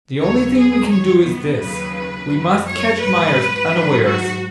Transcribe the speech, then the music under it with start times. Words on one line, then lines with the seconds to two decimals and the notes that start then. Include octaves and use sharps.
The only thing we can do is this--we must catch Myerst unawares.
0.19 D#2 C#3 F#3 C#5
0.55 G#4
0.90 F#2 D#3 F#3 C#5
1.25 B3
1.59 D#2 C#3 F#3 B4
2.29 F#2 F#3
2.65 C#5
2.99 G#2 F#3 B4
3.70 G#2 D#3 F#3
4.05 F#4